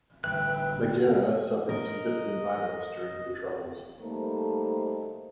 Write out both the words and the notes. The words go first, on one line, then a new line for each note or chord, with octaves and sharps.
Maghera suffered significant violence during the Troubles.
A1 G2 D3 B4 E5 G5 F#6
A#4 D#5
G3 A3 A#3 D#4 A4 C5